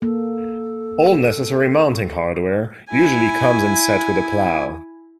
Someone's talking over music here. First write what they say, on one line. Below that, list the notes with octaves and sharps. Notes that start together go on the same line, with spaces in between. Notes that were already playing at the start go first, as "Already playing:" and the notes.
All necessary mounting hardware usually comes in set with a plow.
A#3 A4
E4 G#5